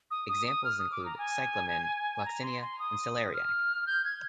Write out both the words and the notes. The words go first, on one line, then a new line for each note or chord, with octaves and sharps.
Examples include cyclamen, gloxinia and celeriac.
D#6
D#6
D#6
F6
D#6
D6
A#5
G#5
A#5
C6
C6
D#6
F6
G6
G#6